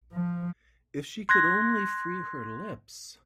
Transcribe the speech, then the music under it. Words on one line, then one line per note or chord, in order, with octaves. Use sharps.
If she could only free her lips!
F3
C6 F#6 G#6 A#6